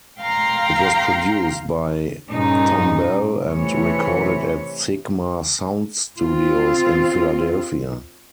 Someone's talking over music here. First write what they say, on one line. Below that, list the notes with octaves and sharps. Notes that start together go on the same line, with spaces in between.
It was produced by Thom Bell and recorded at Sigma Sound Studios in Philadelphia.
F5 G5 A#5 C6
G2 A#2 C#3 D#4
C3 E3 A3 C#5
C4 F4